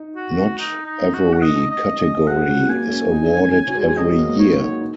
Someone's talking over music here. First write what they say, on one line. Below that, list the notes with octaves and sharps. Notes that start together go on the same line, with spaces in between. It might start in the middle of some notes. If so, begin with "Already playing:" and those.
Not every category is awarded every year.
Already playing: D#4
F#4
D#4
D#4
F#4
F#5
D#4 D#5
D#5
C#4 D#5
G#3 F#5
F#3
A#3 G#5
C#4
D#4
C#4
F#3
G#3
F#3 D#5
A#3
D#4 C#5
D#4
F#4
D#4